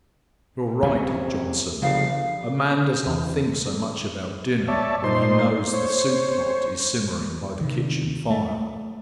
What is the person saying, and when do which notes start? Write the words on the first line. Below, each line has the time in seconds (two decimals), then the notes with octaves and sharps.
"You're right, Johnson; a man does not think so much about dinner when he knows the soup-pot is simmering by the kitchen-fire."
0.82 E2 C3 B3 C#4
1.82 G1 C#3 F3 F5
3.06 E2
4.68 C#5 D5 E5 A5
5.04 A#2 D#4 C5 C6
5.74 C5 C#5
7.61 C3 D#3
8.30 A3